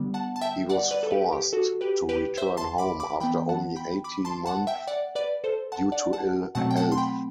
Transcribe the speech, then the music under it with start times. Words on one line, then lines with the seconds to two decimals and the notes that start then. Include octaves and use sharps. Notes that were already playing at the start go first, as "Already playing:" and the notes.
He was forced to return home after only eighteen months due to ill health.
Already playing: D3 G3 B3
0.14 F#5 A5
0.36 A5
0.41 E5 G5
0.69 D5 F#5
0.91 B4 D5
1.03 A4
1.11 G4 B4
1.32 G4
1.53 F#4 A4
1.81 G4 B4
2.09 G4 B4
2.37 C5 E5
2.57 A5 C6
2.78 B5 D6
3.00 B5 D6
3.20 E3 B3 G5 B5
3.49 F#5 A5
3.76 G5 B5
4.04 B5 D6
4.25 A5 C6
4.46 F#5 A5
4.67 E5 G5
4.87 D5 F#5
5.15 B4 D5
5.44 A4 C5
5.72 F#5 A5
5.92 D5 F#5
6.13 F#5 A5
6.55 B2 F#3 A3 C4 F#5 A5
6.71 G5
6.76 F#5 A5
6.92 C6
6.97 G5 B5